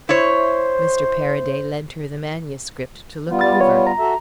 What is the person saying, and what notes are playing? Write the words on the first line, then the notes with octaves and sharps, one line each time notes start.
Mr. Paraday lent her the manuscript to look over.'
E4 C5 C#5
G3 B3 F4
A6
C#5
A#5
F#4 A4 E5